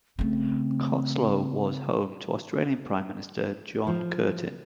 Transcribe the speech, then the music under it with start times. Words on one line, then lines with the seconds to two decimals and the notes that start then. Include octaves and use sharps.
Cottesloe was home to Australian Prime Minister John Curtin.
0.19 C#3 A3 C4
3.87 F3